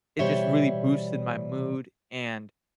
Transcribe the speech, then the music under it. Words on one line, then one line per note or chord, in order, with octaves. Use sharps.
It just really boosted my mood, and
B2 E3 G3 C5 C#5 E5